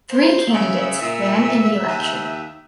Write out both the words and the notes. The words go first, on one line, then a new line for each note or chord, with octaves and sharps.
Three candidates ran in the election.
C5
C#3 E5
A#2
D#2